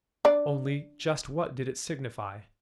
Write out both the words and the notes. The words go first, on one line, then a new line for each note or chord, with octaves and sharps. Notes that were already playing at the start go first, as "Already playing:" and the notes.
Only--just what did it signify?
D4 D5